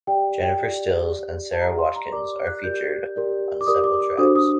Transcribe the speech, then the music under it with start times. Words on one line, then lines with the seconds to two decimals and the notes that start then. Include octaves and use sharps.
Jennifer Stills and Sara Watkins are featured on several tracks.
0.07 G4 D5 G5
0.41 G5
0.58 G4 D5
1.09 G4 D5
1.53 A5
1.61 G4 D5 A#5
1.79 C6
1.96 A#5
2.12 G4 A#4 D5 D6
2.47 F#6
2.64 G4 A#4 D5 G6
3.16 G4 A#4 D5
3.61 D6
3.67 G4 A#4 D5 D#6
3.84 D6
4.01 D6
4.18 D4 F#4 A4 C5 D#6
4.35 D#6